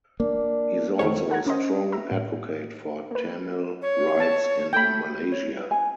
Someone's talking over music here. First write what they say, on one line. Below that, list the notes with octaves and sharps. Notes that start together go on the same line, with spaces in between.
He is also a strong advocate for Tamil rights in Malaysia.
A#3 D4
F2 D#3 A3 C#5
A4 F#5 A#5 G#6
C#4 A#4 C5 D#5
E5 A#5
A2
A#3 B4
C#5
A5
A3 G5 B5
C#5
B4
G#5